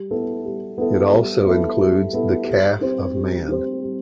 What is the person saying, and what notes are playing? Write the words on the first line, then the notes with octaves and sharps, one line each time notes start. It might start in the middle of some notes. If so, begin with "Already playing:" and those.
It also includes the Calf of Man.
Already playing: G3
B3 E4 A4
G3
B3 E4 A4
G3
B3 E4 A4
G3
B3 E4 A4
G3
C4 G4 C5
G3
C4 G4 C5
G3